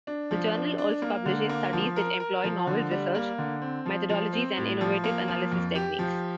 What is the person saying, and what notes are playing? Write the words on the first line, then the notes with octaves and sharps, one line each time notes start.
The journal also publishes studies that employ novel research methodologies and innovative analysis techniques.
D4
F3
D4
D4
A#3
D3
A#3
F3
A#4
A#4
F3
D3
G3
A#3
D3
C4
F3
F3
C4
A2
F3
A#3
F3
F2
G4
F3